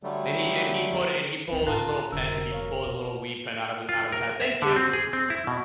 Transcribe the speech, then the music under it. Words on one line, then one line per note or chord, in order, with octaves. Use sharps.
And he and he put and he pulled his little pen he pulled his little weed pen out of out of his hat, "Thank you,
D3 F#3 G3 A3
G1 C#2 C4 B4
A2 D#4 F4 A5 A#5 F#6
F1 D3 G3 A#4 E6
C#5 F5
B2
F4
A#4
E5
D3
C4
G#4
C4
E4
B2